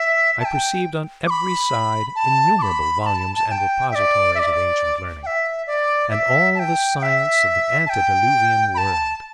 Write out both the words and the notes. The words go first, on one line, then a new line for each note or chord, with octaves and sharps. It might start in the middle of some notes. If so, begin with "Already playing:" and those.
I perceived on every side innumerable volumes and repositories of ancient learning, and all the science of the Antediluvian world.
Already playing: E5
A5
G5
D6
B5
A5
D6
B5
B5
A5
A5
A5
G5
E5
D5
E5
D5
G5
E5
D5
E5
A5
G5
G5
E5
A5
G5
B5
A5